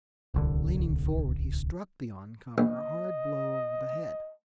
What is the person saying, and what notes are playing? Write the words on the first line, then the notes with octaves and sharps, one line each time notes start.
Leaning forward, he struck the oncomer a hard blow over the head.
D1 C2 D3
A#1 D#5